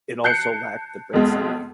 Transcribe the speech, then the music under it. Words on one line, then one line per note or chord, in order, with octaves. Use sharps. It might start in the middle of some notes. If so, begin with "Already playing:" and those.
It also lacked the brick siding.
A5 F#6 G6 C7 C#7
B1 F2 B2 G#3